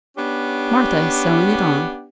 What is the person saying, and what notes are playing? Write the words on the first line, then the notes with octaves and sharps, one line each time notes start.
"Martha is sewing it on."
B3 C#4 D4 G4